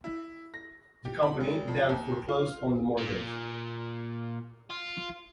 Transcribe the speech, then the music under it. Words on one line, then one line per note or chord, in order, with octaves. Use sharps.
The company then foreclosed on the mortgage.
E4
A#6
G4
B5
G#1
F2
D#2
F4
A#2
F4